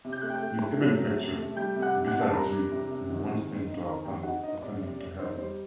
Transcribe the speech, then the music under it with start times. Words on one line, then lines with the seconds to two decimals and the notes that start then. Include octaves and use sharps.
He is even pictured beside Jesus in one stained-glass panel ascending to heaven.
0.05 C3
0.12 G6
0.22 A3 F#6
0.30 G5 G6
0.42 A3
0.62 A3
0.81 F#3
0.99 A3
1.19 C3
1.37 A3
1.56 G3 G5 G6
1.76 C3
1.82 F#5 F#6
1.95 D4
2.07 F#5 F#6
2.14 C3
2.21 A5
2.33 G3 A#4 A#5
2.52 D4
2.71 C3
2.91 C3
3.09 D#3
3.28 D#3
3.48 C4
3.67 D#4
3.86 D#3 A#4 A#5
4.05 C4 G4 G5
4.23 D#4 F#4 F#5
4.43 D#4 D#5
4.62 C3 D5
4.81 C3 D5
5.00 C3 D5
5.19 D#4 C5
5.38 G3 C5